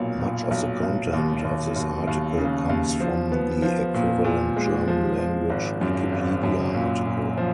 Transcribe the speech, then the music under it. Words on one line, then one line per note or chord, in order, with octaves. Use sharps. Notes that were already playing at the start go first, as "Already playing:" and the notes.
Much of the content of this article comes from the equivalent German-language Wikipedia article.
Already playing: B1 A#2 A#3
A#2
B1
B1
D#2
D#2
D#2
D#2
C#3
D#2
F3
B3
F3
A#2
A#2
G#3
F3
F3
G#1
F#2
G#1
F#2
A#2
A#2
F3